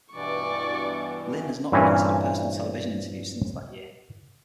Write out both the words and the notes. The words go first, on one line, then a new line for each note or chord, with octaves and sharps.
Linn has not granted a personal television interview since that year.
G2 B2 E3 D5 C#6
G2 A#2 E3 C4 C#4